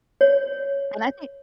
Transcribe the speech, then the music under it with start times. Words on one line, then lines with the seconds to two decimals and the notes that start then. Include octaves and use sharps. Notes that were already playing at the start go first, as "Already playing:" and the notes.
And I think
0.21 C#5